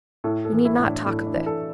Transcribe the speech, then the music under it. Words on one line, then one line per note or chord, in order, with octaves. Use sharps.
You need not talk of this.
A2 A4
A4
E3
E4
A2
D4
A2 A3
D4
E3
A4